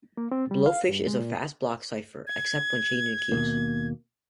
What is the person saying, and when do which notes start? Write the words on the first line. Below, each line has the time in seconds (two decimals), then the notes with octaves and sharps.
Blowfish is a fast block cipher, except when changing keys.
0.17 A#3
0.32 C4
0.51 G3
0.66 F5
0.89 G2
1.07 G#3
1.20 A#2
2.27 G#6
3.32 D#2 B2 A#3